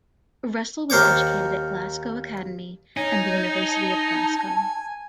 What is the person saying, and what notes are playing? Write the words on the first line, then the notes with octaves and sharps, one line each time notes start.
Russell was educated at Glasgow Academy and the University of Glasgow.
D#2 A#4 C5 C#5 D6
D#4 C#5 G#5
A5